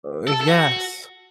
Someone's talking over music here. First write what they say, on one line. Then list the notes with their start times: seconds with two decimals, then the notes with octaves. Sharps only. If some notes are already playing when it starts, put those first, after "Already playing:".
Oh, yes,
0.28 A4
0.41 A4
0.48 F#4